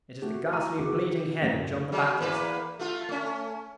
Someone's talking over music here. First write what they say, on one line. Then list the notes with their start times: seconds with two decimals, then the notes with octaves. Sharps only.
It is the ghastly, bleeding head of John the Baptist!
0.22 A3 F#4 G4
0.50 E4 F#4 G5 A#5 C#6 D#7
0.78 C#2 F#4 G#4 D6
1.09 F#4 G4
1.41 C2 F#2 A2 D3
1.92 F#3 G#3
2.19 E2 A#3 B4
2.79 A3 F4
3.09 A3 C#4